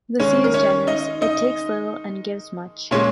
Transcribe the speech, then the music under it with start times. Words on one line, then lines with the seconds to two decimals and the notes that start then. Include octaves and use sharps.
The sea is generous - it takes little and gives much.
0.20 D#3 G#3 C#4 C#5
0.44 A#4
0.54 C#4 C#5
0.87 D#4 D#5
1.22 D#4 D#5
2.91 A#2 G#3 C#4 C#5